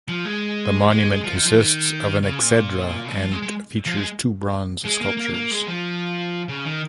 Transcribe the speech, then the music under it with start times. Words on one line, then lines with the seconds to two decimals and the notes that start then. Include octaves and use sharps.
The monument consists of an exedra and features two bronze sculptures.
0.08 F3
0.25 G#3
0.91 G#3
1.24 F3
1.35 D#3
1.46 F3
1.57 D#3
2.23 C#3
2.39 A#2
3.14 G#3
3.21 F3
3.32 G#3
3.42 G#3
3.86 F3
3.97 G#3
4.85 G#3
5.01 A#3
5.17 A#3
5.34 A#3
5.51 G#3
5.67 F3
6.49 C#3
6.66 D#3